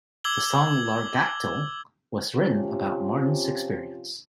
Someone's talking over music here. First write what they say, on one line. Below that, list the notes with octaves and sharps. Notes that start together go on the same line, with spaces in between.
The song "Largactyl" was written about Martin's experience.
D6 E6 G#6 F#7 G7
C3 F3 C4 C#4 F4 G4